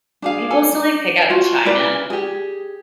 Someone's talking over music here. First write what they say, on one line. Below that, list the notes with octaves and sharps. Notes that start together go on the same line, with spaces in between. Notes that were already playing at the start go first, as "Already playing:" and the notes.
do people still, like, pick out china?
D4 G#4 F5
A4 G#5
D4
F4 F#4
E4 A#4 B4 D5
G4 G#4